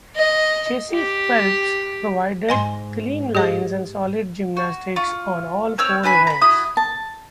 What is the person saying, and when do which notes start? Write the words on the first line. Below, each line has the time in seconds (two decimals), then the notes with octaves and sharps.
Jaycie Phelps provided clean lines and solid gymnastics on all four events.
0.16 D#5
0.94 G4
2.49 G#2 D#5 G#5 C6
3.35 G4 G#4 D#5
4.57 F#4
4.96 F4 C#6
5.78 C4 C#5 E6 F6
6.03 D4 B4 G#5 B5
6.27 A#5 B5
6.42 E4 F#4 D#6
6.77 A5